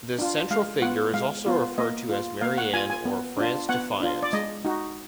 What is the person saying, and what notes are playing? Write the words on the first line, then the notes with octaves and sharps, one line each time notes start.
This central figure is also referred to as Marianne or "France Defiant".
D4 F4
G#3 F5
B3 F4 F#5
G#3 F5
B3 F4
A#3 D#5
F4
A#3 F5
F#5
F4 G#5
G#5
B3
D4 F4
B3 F#5
D4 F4
D5
G#3 D#5
D#4 F#4